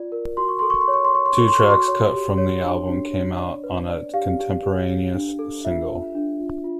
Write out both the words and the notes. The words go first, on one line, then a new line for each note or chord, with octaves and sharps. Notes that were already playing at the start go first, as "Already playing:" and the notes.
Two tracks cut from the album came out on a contemporaneous single.
Already playing: F4 D5
A#4
F#4 C6
C#6
A4 C6
C#6
C6
C#5
C#6
C6
C#5 C#6
C6
A4 C#6
C6
F#4 C#6
C6
C#5
G4
C#5
D4
D4
C#5
D5
B4
D5
G4 F5
G4
G4
A4
D4
A4
F4 E5
F4
D4
F4
F4